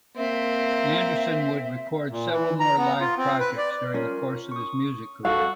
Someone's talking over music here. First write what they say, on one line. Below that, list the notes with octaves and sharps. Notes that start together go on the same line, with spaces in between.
Anderson would record several more live projects during the course of his music career.
A#3 C4 E5
A#2
E3
A#5
B3
F4
C4
B4
D5
C#4 F4 A#4
C#6 D#6
F#4 A4 F5 E6